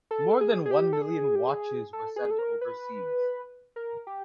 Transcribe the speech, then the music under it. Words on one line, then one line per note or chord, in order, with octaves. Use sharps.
More than one million watches were sent overseas.
A4
G#4
G#4
G4
A4
G#4
G4
G#4
A4
G#4
A4
A#4
B4
A#4
G4